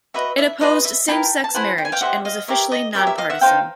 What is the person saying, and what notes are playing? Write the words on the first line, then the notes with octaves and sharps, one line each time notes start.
It opposed same-sex marriage, and was officially non-partisan.
F#4 B4 D#5 E5
E5
F4 G#4 B4 D#5
E5
E4 G4 A#4 G5 A5
A5
E4 A4 C5 F#5 G#5
G5
G#5
F5 G5
G4 C5 D#5 E5 F#5
D#5 F5
G4 A#4 C#5 E5
D#5
G4 A#4 C#5 E5
E5
D#5 F5
E5 F#5
D#4 G#4 C5 F5 G5